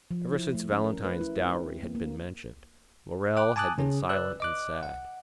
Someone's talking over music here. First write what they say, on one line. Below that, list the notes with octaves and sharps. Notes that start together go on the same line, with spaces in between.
Ever since Valentine's dowry had been mentioned, Morrel had been silent and sad.
F3
E4
A3
C#4
A#4
B4
E4
C4
E4
A#3
A#3
G5 D6 F#6
G#5 A5 D6 D#6 F#6
C#3 C#4 G#4
B4 D5 E6 F#6
D#5 D6 F#6
F#5